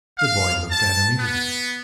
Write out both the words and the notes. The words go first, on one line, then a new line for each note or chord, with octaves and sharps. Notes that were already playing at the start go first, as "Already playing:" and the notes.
The boy looked at him eagerly.
F5
A5
B3